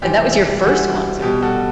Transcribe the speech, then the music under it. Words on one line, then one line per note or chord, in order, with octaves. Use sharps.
and that was your first concert.
C3 E3 G3 G4
C3 E3 G3 F#4
B2 G3 G4
F#4 A4